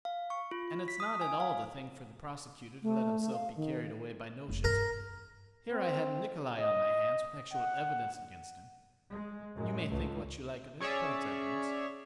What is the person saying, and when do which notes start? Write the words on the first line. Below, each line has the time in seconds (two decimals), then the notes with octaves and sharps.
And it's not at all the thing for the prosecutor to let himself be carried away by notions: here I have Nikolay on my hands with actual evidence against him--you may think what you like of it, but it's evidence.
0.05 F5
0.30 C#6
0.51 F4
0.88 B6
1.00 D#6
1.21 G#5
1.40 F5
2.83 A3
3.33 F5
3.56 D#3
4.48 F1 A3
4.64 G2 A#4
5.72 C4
6.59 D#5
7.53 F#5
9.12 G#3
9.55 F#2 A2 G#3
9.89 C#2 A3
10.80 C#4 G#4 C#5 D5 E5